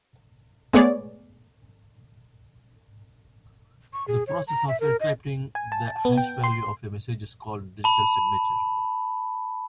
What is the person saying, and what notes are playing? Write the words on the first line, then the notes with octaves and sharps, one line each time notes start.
The process of encrypting the hash value of a message is called digital signature.
G#3 A3 B3 G#4 C#5 D5
C#6
G#4
C#5
A#5
E5
A#4
D#5
G#5
A5
B3
G5
C6
A5 B5